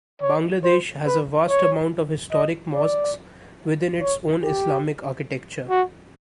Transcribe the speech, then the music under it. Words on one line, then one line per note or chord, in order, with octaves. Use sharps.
Bangladesh has a vast amount of historic mosques with its own Islamic architecture.
C#5
C5
B4
C#5
D#5
D5
C#5
G4
F#4